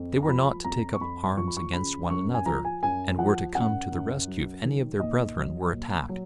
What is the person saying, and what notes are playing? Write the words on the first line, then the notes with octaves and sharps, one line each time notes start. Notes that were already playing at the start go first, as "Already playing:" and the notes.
They were not to take up arms against one another, and were to come to the rescue if any of their brethren were attacked.
Already playing: F2
A#5
F3 B5
F2 A#5
C#6
F2 B5
F3 C#6
B5
C#6
C#3 B5
F#2 C#6
G#5
F3 A#5
G#5
F#2 G#5
F3 F#5
F#2 F#5
F#2
F#3
D#3
A#2 D#5
F#3
A#2
F#3